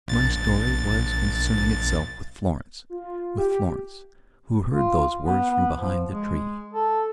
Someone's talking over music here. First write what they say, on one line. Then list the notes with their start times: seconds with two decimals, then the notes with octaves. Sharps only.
And my story was concerning itself with Florence--with Florence, who heard those words from behind the tree.
0.08 A#1 A6
2.90 F4
3.38 G4
4.73 F4
5.26 B3
5.50 B3
5.76 F3
6.08 G#3
6.73 A4